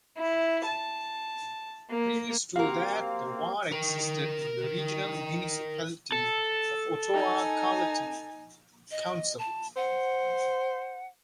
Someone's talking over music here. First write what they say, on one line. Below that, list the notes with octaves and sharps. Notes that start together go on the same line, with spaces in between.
Previous to that, the ward existed in the Regional Municipality of Ottawa-Carleton Council.
E4
A5
A#3
A#3 C4 F#4 G4 A#4 F5
A#4 G5
A4
D#4 G#5
D#5
A5
C5 F#5